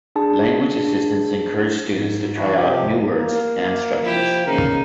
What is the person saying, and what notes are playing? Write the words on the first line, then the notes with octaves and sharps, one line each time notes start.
Language assistants encourage students to try out new words and structures.
D4 G#4 A5
G#2
E3 D4 E4 F#4
C3 F3 G4
A#3
F3 E4 G4
E2 C#3 A#3 D#4 A#4